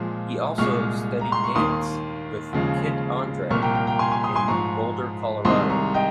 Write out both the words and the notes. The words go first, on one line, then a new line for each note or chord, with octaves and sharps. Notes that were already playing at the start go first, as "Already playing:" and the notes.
He also studied dance with Kit Andree in Boulder, Colorado.
Already playing: A#2 F3 G#3
C2 A#2 G#3 C#6 F6
A#5
C6
C#6
D#2 D#3 A#3 C6 D#6
D#2 C#3 F3 G#3
C2 A#2 F3 A#3 C#6 F6
G5 A#5
G5 A#5
G5 A#5
G#5 C6
G#5 C6
C6 D#6
G#5 C6
G#2 F3 G#3 A#5 C#6
C2 C3 D#3 G#3 C6 D#6
A#5 C#6
D#5 G5